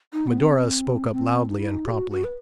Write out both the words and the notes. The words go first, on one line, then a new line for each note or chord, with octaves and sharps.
Medora spoke up loudly and promptly.
D#4
B3
C4
C4
D#4
E4
D#4
A4
F#4
F#4
B4